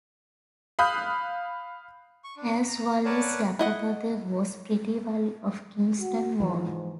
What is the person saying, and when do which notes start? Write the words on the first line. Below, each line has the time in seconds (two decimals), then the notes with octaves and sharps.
Hasse Walli's younger brother was Petri Walli of Kingston Wall.
0.79 F5 B5 D#6 F#6 G6
2.24 C#6
2.37 D4
2.67 A#5
3.05 A#4 B4 C#5 D5 F#5 A5
3.59 E4 D#5 F#5
6.00 F#4
6.40 G#2 E3 F3